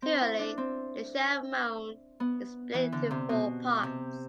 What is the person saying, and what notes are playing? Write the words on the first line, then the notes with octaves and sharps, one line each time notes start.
Currently, the shell mound is split into four parts.
C4
E4
D4
C4
B3
E3
D3
C3
B2
C3